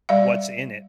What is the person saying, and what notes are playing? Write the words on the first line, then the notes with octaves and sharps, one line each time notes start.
what's in it.
G3 D5 E5 F5